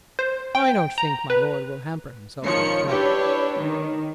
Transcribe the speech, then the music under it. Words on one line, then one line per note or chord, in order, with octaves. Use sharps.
"I don't think my Lord will hamper himself for your brother."
C5
G5
A#5
B4
D#3 F3 C#5 C#7
D4 E4 G4 B4 C#5
D#3